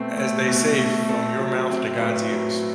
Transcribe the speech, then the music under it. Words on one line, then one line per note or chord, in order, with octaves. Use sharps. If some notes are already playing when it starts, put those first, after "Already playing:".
as they say, from your mouth to God's ears.
Already playing: B2 A3 C4 B4
A3
B2
A3
C4 A4
F#3
C4
A2 B4
F#3